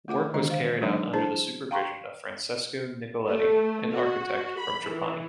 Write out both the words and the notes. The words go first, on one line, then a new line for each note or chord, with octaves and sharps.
Work was carried out under the supervision of Francesco Nicoletti, an architect from Trapani.
A3 F4 F#5 D6
D3 D#3 G#3 D4 D#5
C5 F5
F3 G3 A3 D4 D#4
D4 E4 G#4 A#4 C5 A5
F5 G5 A#5 C6 C#6
A3
F#4
B5
E3